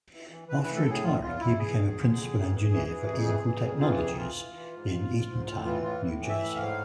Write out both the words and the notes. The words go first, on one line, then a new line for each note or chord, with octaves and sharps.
After retiring he became a principal engineer for Eagle Technologies, in Eatontown, New Jersey.
E3
E3
E3 B4
A2 B4
A4
A2
G#4
E2 F4
E2 F4
E2 E4
E2 G#4
E2
D3
F2
F2
E3
E3
E3
F2
E3
E3
F2
E3 F4
F2 G#4
E3 F4
E3
E3
G#2
G#2
G#2
G#2
A2 F4
E3 F4
A2 F4
A2
E3
E5
A2
G#2 F5